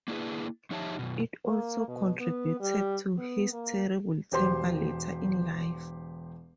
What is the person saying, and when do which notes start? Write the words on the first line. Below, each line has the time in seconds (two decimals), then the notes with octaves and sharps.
It also contributed to his terrible temper later in life.
0.08 A#3 D4 E4 G#4 B4
0.71 F3 D#4 G4 C#5 E5 A5
0.99 F#2 B2
1.45 A#3
1.88 B2
2.20 B3
2.60 G3
3.18 B3
3.52 A#3
4.32 E1 G4 C5 C6